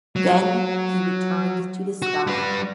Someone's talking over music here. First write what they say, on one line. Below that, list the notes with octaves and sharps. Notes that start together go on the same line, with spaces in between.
Then he returned to the sky.
F#3
F#4
G3 B4